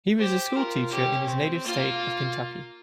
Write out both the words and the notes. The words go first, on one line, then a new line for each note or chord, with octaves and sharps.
He was a school teacher in his native state of Kentucky.
G4 C5
F4 A#4
C#4 G4
C4
A#3 F4